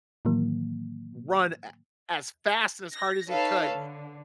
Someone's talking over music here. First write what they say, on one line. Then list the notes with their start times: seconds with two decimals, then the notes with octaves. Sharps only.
run a as fast and as hard as he could
0.25 A2 D#3 E3 F#3 A#3
2.93 A#6
3.29 D#4 A4 B4 C#5 F5 A5
3.72 D3